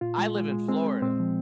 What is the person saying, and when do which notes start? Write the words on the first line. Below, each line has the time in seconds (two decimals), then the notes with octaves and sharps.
I live in Florida.
0.01 A#2 F4
0.18 G#3
0.35 G#3
0.51 G#3
0.68 G#3 C4
0.85 G#3
1.02 A#2 C4
1.19 F3